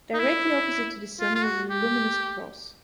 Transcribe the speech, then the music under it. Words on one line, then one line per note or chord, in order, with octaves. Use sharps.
Directly opposite to the sun was a luminous cross.
D#4
E4
F4
F4
F#4
G4